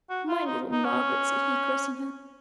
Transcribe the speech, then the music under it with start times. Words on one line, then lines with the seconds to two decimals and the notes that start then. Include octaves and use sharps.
'My little Margaret!' said he, caressing her.
0.10 F#4
0.28 F4
0.46 D#4
0.72 D#4
0.85 C#4